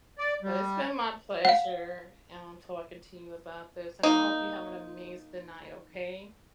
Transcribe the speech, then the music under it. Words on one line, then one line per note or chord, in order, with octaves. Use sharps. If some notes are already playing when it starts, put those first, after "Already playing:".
but it's been my pleasure, um, talking to you about this, and I hope you have an amazing night, okay?
D5
G3
F5 F#5
A#3 D#4